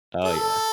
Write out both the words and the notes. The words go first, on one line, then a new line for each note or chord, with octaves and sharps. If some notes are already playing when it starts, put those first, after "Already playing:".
Oh, yeah.
A4